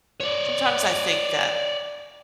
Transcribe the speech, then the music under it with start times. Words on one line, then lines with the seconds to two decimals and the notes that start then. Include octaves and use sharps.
Sometimes, I think that
0.21 C#5 D5